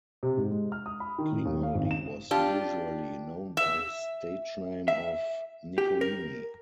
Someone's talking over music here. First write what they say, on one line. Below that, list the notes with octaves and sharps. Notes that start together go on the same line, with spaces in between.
Grimaldi was usually known by his stage name of Nicolini.
C3
G#2
G#3
F6
D#6
B5
D#3
A2
D#2
F5
G#1
E7
D4 F4 G4
E5
E5
G4
A#4